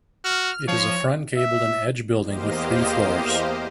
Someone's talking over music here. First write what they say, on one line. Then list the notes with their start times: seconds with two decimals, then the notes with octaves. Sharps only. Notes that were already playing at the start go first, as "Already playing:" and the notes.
It is a front-gabled and edge building with three floors.
0.24 F#4 F6
0.68 F3 C#5
1.37 E5
2.22 E2 A#3 G4 C5 D#5 F5